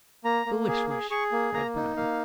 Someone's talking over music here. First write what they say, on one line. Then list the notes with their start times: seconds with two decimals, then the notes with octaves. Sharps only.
"A foolish wish," cried Bryan.
0.25 A#3 A#5
0.46 A#3
0.68 G#4
0.90 G#4
1.10 G#4 C#6
1.32 A#3
1.54 A#3 A#5
1.75 D#4
1.97 A#3 F5